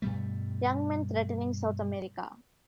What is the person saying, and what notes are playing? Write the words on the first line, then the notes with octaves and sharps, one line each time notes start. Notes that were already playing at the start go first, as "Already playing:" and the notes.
Young men threatening South America!
G2 B2 G3 A3